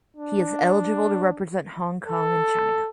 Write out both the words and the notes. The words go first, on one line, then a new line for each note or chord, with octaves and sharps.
He is eligible to represent Hong Kong and China.
D4
A4